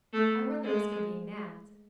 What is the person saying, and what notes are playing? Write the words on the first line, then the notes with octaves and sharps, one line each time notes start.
I run the risk of being nabbed.
A3
G#3